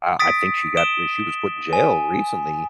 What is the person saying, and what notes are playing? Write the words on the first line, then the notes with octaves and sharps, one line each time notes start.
uh, I think she got we she was put in jail recently
D#6 A6 B6 D7
D#6 D7 E7 G7
G#5